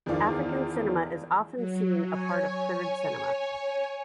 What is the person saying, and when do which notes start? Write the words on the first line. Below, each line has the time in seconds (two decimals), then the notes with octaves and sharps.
African cinema is often seen a part of Third Cinema.
0.06 E2 D#3 F3 D5 F5
1.55 F#3
2.06 C#5 G#5